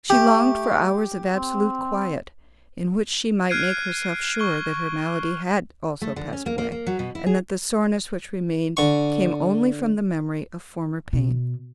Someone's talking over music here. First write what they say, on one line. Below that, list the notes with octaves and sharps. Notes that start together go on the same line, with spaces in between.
She longed for hours of absolute quiet, in which she might make herself sure that her malady had also passed away, and that the soreness which remained came only from the memory of former pain.
A3 G4
C4
F6 F#6 G#6 C7 D7 D#7
C#6 C7 G7
A3
D3
C#4
A#3
A#3
A#3
F#3
B2
E4
G#4
D3 C#6
B2